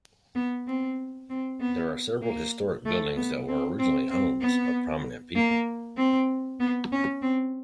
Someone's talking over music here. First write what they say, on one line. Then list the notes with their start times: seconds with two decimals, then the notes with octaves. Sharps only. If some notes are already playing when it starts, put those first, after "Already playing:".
There are several historic buildings that were originally homes of prominent people.
0.35 B3
0.67 C4
1.30 C4
1.60 B3
2.22 A#3
2.85 A3
3.16 B3
3.48 C4
3.78 C4
4.10 C4
4.41 B3
5.35 A#3
5.97 C4
6.60 B3
6.92 C#4
7.22 C4